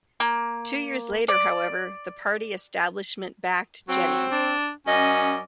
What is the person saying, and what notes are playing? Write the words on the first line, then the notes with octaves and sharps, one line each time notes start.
Two years later, however, the party establishment backed Jennings.
A#3
D5
F#3 C4
D4
F#2 C#4 D5 D#5